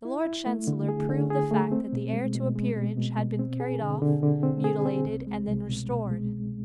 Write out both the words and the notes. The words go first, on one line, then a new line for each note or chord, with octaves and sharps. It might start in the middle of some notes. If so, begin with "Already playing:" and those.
The Lord Chancellor proved the fact that the heir to a peerage had been carried off, mutilated, and then restored.
E4
E4
A3
D3
G#4
D3
G#4
A3
C4
B2
G#3
B2
G#3
B2
B2
B2
C4
G#4
D3
D3
D3
C4
G#4
C4
C2
G#3
C2
B2
B2
G#3